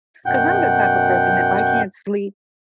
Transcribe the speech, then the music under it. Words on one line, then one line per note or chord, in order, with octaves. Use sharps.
'cause I'm the type of person, if I can't sleep
F#2 B2 F#5 G5 G6